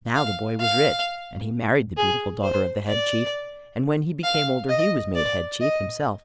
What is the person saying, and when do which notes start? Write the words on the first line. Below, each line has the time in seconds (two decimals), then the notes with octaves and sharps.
Now the boy was rich, and he married the beautiful daughter of the Head Chief, and when he became older he was made Head Chief himself.
0.15 F5
0.60 F5
1.97 G#4
2.43 C5
2.87 D5
4.24 F5
4.69 D#5
5.15 D5
5.60 D#5